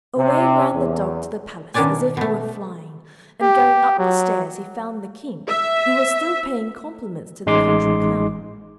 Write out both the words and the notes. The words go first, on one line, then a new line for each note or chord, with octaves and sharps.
Away ran the dog to the palace as if he were flying, and going up the stairs he found the King, who was still paying compliments to the country clown.
C3
E2
B2 D#3 C#4 D4 D5 G#5
B2 A3
G4
F#3
E5
A1 G#3 D#4 C6 D6